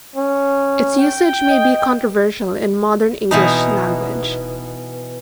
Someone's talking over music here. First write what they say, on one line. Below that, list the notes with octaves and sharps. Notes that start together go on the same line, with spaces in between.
Its usage may be controversial in modern English language.
C#4
G5
D#5
B2 E3 D#4